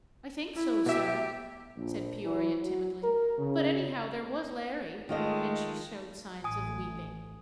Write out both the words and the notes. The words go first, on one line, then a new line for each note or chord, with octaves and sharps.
"I think so, sir," said Peoria, timidly; "but, anyhow, there was Larry;" and she showed signs of weeping.
E4
B2 G4 E5
A#1
E3
F#3
A#4
C#3
D#3 G#3 A3 F4 D#5
A1 G#5 D#6